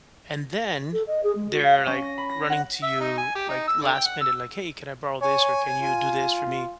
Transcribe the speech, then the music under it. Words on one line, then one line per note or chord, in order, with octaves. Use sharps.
and then they're, like, running to you, like, last minute, like, "Hey, can I borrow this?" or, "Can you do this for me?"
A4
D#5
G#4
G#3
F#4
F5
C#4
A#6
B5
A#6
F#5
E5
D#4
G#5
G4
D#4
E6
D3
G5
F#5
E6
C#5 G#5
F4